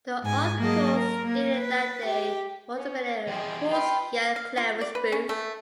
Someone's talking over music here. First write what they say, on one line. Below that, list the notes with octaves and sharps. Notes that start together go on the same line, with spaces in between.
The article stated that they were ultimately "a coarse yet clever spoof".
G#2 G#5
F#3 A#3 G#4 D#5 A5
A#4
A#3
B4
G4
C#4
E2 F3 G4 G#4 D#5
F4 B4 G5 B5
F5
F4
D5
B4
C#4
A3